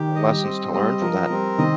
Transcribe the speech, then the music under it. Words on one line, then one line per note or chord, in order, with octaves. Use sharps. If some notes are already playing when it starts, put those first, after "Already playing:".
lessons to learn from that.
Already playing: D#3 G4
D#5
G3
C4
G3 D#5
F3 A#4
G3 C4
D#3 D#5